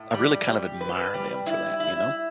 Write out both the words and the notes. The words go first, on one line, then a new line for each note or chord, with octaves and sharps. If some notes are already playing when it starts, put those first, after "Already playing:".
I really kind of admire them for that, you know?
Already playing: A2
G3
G4
B4
G3
E4
E4